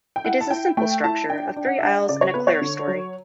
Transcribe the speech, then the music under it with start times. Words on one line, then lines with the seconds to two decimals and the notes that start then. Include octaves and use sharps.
It is a simple structure of three aisles and a clerestory.
0.16 G5
0.24 E4 F#5
0.41 A5
0.50 E4 G5
0.77 A3 G5
1.04 E4 A5
1.30 D4 G5
1.47 G5
1.56 D4
1.65 F#5
1.78 E5
1.82 D4 F#5
2.09 C#3 D5
2.21 C#5
2.34 B3 B4
2.47 C#5
2.62 D3
2.88 F#3